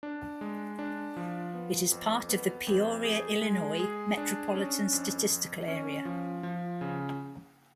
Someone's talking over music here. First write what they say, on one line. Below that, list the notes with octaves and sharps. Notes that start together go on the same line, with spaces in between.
It is part of the Peoria, Illinois Metropolitan Statistical Area.
D4
G#3
D4
F3
B3
F2
B3
F2
G#4
G#3
G#4
D4
C#4
F2
F2
C#4
F3
F3
C#3